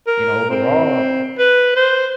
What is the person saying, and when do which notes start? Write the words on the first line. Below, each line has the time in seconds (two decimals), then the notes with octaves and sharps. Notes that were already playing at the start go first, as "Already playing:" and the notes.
you know, overall
0.07 A#4
0.50 C4
1.39 B4
1.76 C5